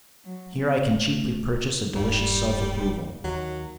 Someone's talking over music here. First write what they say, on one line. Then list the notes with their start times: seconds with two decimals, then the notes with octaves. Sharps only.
Here I can cheaply purchase a delicious self-approval.
0.25 F#3
0.57 C4
0.94 A3
1.96 D#1 G2 G3
3.24 D#2 F#3